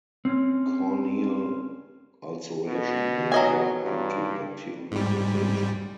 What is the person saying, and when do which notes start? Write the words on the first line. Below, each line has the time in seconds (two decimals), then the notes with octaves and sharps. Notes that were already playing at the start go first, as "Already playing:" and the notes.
Corneal ulceration may develop due to bacterial invasion.
0.25 C4 C#4
2.68 B2
3.32 F#3 D#5 G#5
3.84 G2
4.92 G#2 G3